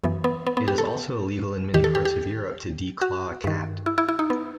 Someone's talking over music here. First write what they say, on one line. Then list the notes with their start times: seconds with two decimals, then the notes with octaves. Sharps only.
It is also illegal in many parts of Europe to declaw a cat.
0.04 F#2 E3 B3
0.24 B3
0.47 B3
0.57 B3
0.68 G4
0.78 A4
1.74 E2 D#3 G4
1.84 A4
1.95 G4
2.05 G4
3.01 F#4
3.44 G2 D#3
3.86 E4
3.98 E4
4.09 E4
4.19 D#4
4.30 B3